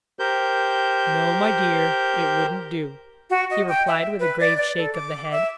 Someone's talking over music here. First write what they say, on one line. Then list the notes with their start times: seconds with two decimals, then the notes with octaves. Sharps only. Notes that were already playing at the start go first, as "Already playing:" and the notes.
"No, my dear, it wouldn't do," he replied with a grave shake of the head.
0.19 G4 A#4 C5 G6
3.30 F#4
3.51 D#5
3.69 G5
3.87 E5
4.20 B4
4.40 D5
4.57 D5
4.78 A4
4.94 D6
5.31 E5